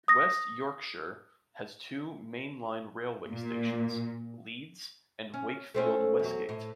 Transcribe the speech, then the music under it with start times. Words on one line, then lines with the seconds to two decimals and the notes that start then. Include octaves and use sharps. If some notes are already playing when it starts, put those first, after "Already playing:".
West Yorkshire has two mainline railway stations, Leeds and Wakefield Westgate.
0.08 D#6 A#6
3.30 A#2
5.34 C#4
5.75 A3 C4 C#4
6.19 E2 F#3
6.49 A2